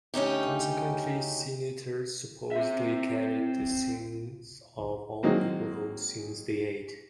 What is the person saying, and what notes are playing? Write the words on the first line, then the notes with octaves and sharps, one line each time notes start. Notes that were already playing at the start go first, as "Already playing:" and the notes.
Consequently, sin-eaters supposedly carried the sins of all people whose sins they ate.
D2 C#4 D#4 G4
C4 E5
D#3 F#3 G#3 A#3 C4